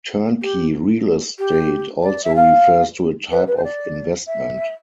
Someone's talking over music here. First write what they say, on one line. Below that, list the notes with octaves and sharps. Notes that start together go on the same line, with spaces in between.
Turnkey real estate also refers to a type of investment.
G4
G4
D5
E5
F5
B4
B4
C5
D5
E5